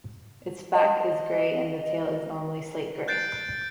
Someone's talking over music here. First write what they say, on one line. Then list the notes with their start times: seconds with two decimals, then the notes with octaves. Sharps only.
Its back is gray and the tail is normally slate-gray.
0.75 D#5
3.08 F#6 G6 A6 C7 D7